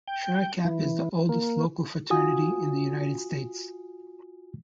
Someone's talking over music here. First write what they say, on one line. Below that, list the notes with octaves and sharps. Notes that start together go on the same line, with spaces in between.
Tri-Kap is the oldest local fraternity in the United States.
G5
E3
A#3
F4 F#4 G#5 D#6